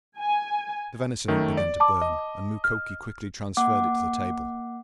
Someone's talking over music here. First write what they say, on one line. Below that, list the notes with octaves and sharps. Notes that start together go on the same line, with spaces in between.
The venison had begun to burn, and Mukoki quickly transferred it to the table.
G#5
F#2 D#3 A3
D5
A5 D6
D#5
F6
A#3 F#5 D6